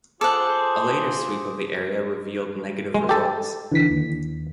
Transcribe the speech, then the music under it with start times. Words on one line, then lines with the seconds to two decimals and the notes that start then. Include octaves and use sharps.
A later sweep of the area revealed negative results.
0.21 F4 G#4 A4 C5 F#5 D6
2.94 G#3
3.09 G4 A4
3.72 D3 E3 B6
3.90 D#2